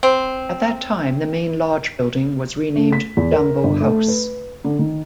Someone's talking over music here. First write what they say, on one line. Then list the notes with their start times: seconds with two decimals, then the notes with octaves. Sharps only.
At that time, the main lodge building was renamed Jambo House.
0.03 C4
2.76 A3
2.93 B6
3.17 E2
3.32 A#4
3.64 G1
3.81 A3
4.08 B4
4.64 D3
4.79 D#3